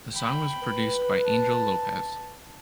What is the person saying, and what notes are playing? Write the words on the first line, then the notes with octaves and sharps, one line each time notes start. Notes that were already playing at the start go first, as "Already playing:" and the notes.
The song was produced by Angel Lopez.
G5 B5
B4
A5